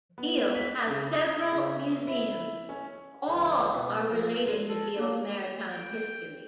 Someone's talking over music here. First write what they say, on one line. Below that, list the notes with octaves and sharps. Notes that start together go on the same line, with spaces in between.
Deal has several museums; all are related to Deal's maritime history.
B3
B6
C#3
D#6
C#3
E4
C#4
C#2 E3
B2
F3 A#4
G#3
A4
A#3 D4
G5